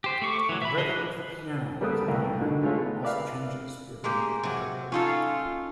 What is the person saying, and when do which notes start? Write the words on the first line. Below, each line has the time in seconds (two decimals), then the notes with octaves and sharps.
The rhythm of the piano accompaniment also changes within the characters.
0.04 G4 C5
0.22 A3 C#6 D6
0.49 E3 F#3
0.62 E5 B5
0.77 D3 G#4 D#5
0.89 E3 F#6
1.81 G3 A#3 B3 A4 B4 D#6
2.08 C2 A3 A#4
2.40 B2 D3 D#3
2.63 G#3 A3 D#4 F4 G#4 C#5
2.79 B3
3.03 A#4 B4 D5 E5 F5
4.04 G#3 A#3 G4
4.43 C3 F#3
4.92 C#4 D#4 F4 A4